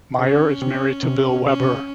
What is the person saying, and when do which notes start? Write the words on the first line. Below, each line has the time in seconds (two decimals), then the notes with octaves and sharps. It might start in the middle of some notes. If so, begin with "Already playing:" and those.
Meyer is married to Bill Weber.
0.19 C#3 C#4
0.62 C3
1.03 C3
1.46 C3 C#4
1.60 C3
1.74 C#3